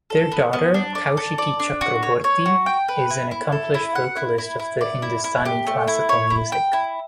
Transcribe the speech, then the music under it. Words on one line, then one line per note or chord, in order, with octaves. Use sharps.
Their daughter, Kaushiki Chakraborty is an accomplished vocalist of Hindustani classical music.
A4
B3
B3
D4
D5
A4
D5
D4
F#4
C#5
C#5
F#4
G5
B4
E4
E4
A4
E4
F#5
E4
E4
E4
D5
E4
E4
G4
A3
E4
C#5
E4
G5
E4